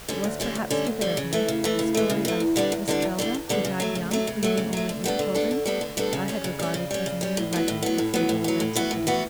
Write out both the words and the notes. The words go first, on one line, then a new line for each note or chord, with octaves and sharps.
It was perhaps stupid of me, but the story of Mistrelde, who died young, leaving only eight children, I had regarded as a mere legend or fable of antiquity.
D3 G3 C#4
D2
D3 G3 C#4
D2
D3 G3 C#4
D2
D3 G3 C#4
C#3
E3 A3
C#3
E3 A3
C#3
E3 A3
C#3
E3 A3
E2
D3 G3 B3 D4
E2
D3 G3 B3 D4
E2
D3 G3 B3 D4
E2
D3 G3 B3 D4
C#3
F#3 A3
C#3
F#3 A3
C#3
F#3 A3
C#3
F#3 A3
D3
G3 B3 D4 A4
D3
G3 B3 D4 A4
D3
G3 B3 D4 A4
D3
G3 B3 D4 A4
C#3
G3 C#4
C#3
G3 C#4
C#3
G3 C#4
C#3
G3 C#4
A2
F#3 B3
A2
F#3 B3
A2
F#3 B3
A2
F#3 B3
A2
E3 B3 F#4
A2
E3 B3 F#4